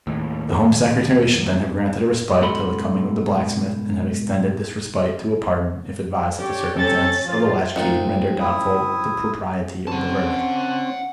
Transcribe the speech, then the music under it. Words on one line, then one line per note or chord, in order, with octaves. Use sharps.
The Home Secretary should then have granted a respite till the coming of the blacksmith, and have extended this respite to a pardon, if advised that the circumstances of the latch-key rendered doubtful the propriety of the verdict.
D#2 A2
G#2 B2 A4 F#5 B5 C6
C#4 G4 C#5 D5
C3 C4 C#4 A4 A6
F3 F4
C2 F#2 A2 D#4 F4 F#5
E4 D#6
C4 C#4 F#5 A5